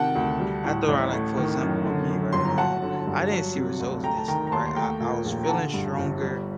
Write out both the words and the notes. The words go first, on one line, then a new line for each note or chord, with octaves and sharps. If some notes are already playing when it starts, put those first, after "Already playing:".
After I, like, for example, with me, right, um, I didn't see results instantly, right? I I was feeling stronger,
Already playing: C3 D#3 F#5 G5 A5
D2
G3
A2
A1
A3
D#3
F#2
D3
F#2
G1 C6
A#5
F#3 F#5 A5
D3
G2
F#3
C3
D2
A3 G5 A#5
A5
D#3 G5 A#5
A#5
D#2 A5 C6
C6
A3 G5 A#5
A#2
A#1
A#5
D3 F#5 A5
G2
G1
G3